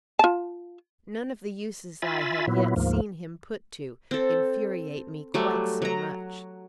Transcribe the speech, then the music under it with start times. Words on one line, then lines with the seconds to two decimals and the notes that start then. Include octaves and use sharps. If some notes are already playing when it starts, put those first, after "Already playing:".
None of the uses I have yet seen him put to infuriate me quite so much.
0.19 F4 A5
2.02 F4 E5 G#5 B5 A6
2.47 A#2 F#3 B3 E4
2.76 D2 G#2 F3 A#3
4.11 C4 A4
5.34 F#3 G3 A3
5.82 F#3 A#5